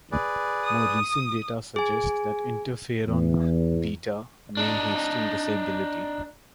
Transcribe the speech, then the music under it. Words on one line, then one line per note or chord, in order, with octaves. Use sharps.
More recent data suggest that interferon betas may hasten disability.
G#4 B4 D5
D#6
G#4 G#5
E2
D4 D#4